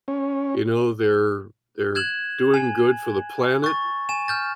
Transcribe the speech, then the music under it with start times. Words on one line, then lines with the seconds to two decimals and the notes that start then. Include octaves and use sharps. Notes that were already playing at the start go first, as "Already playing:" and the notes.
you know, they're they're doing good for the planet,
0.08 C#4
1.95 F#6 G#6 E7 F#7
2.54 G#5
3.64 C#6 A6
4.09 G#5 E7
4.28 F6 G6 A6